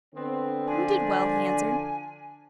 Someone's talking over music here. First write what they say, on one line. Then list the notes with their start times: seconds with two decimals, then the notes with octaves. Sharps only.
"We did well," he answered.
0.14 D3 B3 C4
0.67 F3 D4 G#5